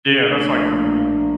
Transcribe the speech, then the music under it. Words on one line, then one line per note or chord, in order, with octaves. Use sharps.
Yeah, that's like
A#1 A2 F3 A#3 D4